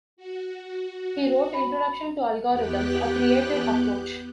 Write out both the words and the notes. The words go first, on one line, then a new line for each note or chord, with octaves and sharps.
He wrote "Introduction to Algorithms - A Creative Approach".
F#4
B5
E2 B3 G4 G5 F#6